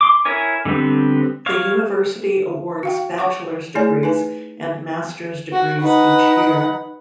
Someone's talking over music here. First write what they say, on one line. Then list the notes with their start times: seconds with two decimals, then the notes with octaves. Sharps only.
The university awards bachelor's degrees and master's degrees each year.
0.01 C6 D6
0.25 E4 A#4 C#5 G#5
0.65 D3 G3 B3 C4
1.46 C#5 F5
2.83 F#4 F5 G5
3.18 C#5 F#5 C#6 D6
3.75 A3 E4 G#4 C#5 D5 G#5
4.03 D#4 B4 G#5
5.52 F#4
5.81 D#4 B4 F#5